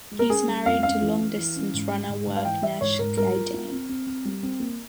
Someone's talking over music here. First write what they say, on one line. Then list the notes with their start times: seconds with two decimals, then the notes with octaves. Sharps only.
He is married to long-distance runner Werknesh Kidane.
0.11 G#3
0.19 A#4
0.30 C#4 G#4
0.48 G3
0.66 F2 F5
0.83 C#4 F5
1.02 E3
1.19 E3
1.38 E3
1.56 C#4
1.74 G#2
1.91 G#3
2.09 G#2
2.27 G#2
2.36 F5
2.45 E3 G5
2.63 E3 E5
2.81 G#2 C#5
2.99 G#2 A#4
3.17 G3 A#4
3.35 F4
3.53 F4
3.71 C4
3.89 C4
4.07 C4
4.25 G3
4.43 C4
4.60 A#3